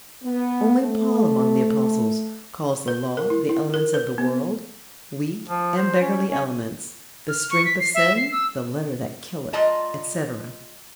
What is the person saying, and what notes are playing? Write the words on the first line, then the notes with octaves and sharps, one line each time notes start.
Only Paul among the apostles calls the Law "the elements of the world, weak and beggarly elements, the strength of sin, the letter that killeth," etc.
B3
A3
B4
A#4
E4
E4
A#4
B4
B3
F3
C5
C#4
C#4
F6
C#6
B6
C7
E5
C7
E6
G#3 F4 D5 D#5 A5 A#5